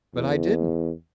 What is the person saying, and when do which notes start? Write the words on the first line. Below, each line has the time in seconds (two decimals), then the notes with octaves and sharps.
"But I didn't."
0.15 E2